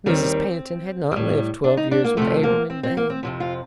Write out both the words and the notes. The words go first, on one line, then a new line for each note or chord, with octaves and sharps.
Mrs. Pantin had not lived twelve years with Abram in vain.
D#2 D#3 G3 C4
A2 G3
D4
D#4
D4
A#3
D2 C3 F3 A3
A#3
C4
C4
A#3
C4
F2 C3 F3
F4